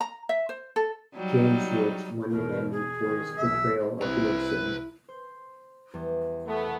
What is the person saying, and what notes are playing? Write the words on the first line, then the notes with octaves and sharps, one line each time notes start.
James Woods won an Emmy for his portrayal of Wilson.
A#5
E5
C5
A4
F#3 G3 D#4
E2 B2 A#4
G#4
D#3
B1 E2 E5
C2 E4 B4 A#5
C5
E2 G3
A3 B3 A#4